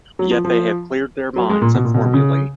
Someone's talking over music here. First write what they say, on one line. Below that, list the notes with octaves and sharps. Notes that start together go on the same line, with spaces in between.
Yet they had cleared their minds of formulae!
F#3
F3
F3
F#3
G#3
A#2
B2
A#2
B2
B2
C#3